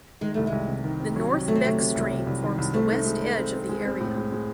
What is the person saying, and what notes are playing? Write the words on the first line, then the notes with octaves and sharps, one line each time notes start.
The North Beck stream forms the west edge of the area.
D#3 G#3
C2 A3
G#3
C2
C3
D#3
C3
F#3
C3
F#3 A3
C4
C3 A3
C3
C2
C3
C2
D#3
C2
A3 C4
D#4
G#3
D#4
C4
C4
G#3
C4
A2
G#3
G#3